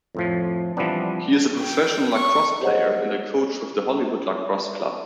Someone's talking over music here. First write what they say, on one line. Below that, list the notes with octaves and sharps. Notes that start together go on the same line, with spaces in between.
He is a professional Lacrosse player and coach with the Hollywood Lacrosse Club.
F2 A2 F3
E3 F3 G3 B3 C4 D4
G5
C#6
G4 G#4 C5 C#5 D#5 F#5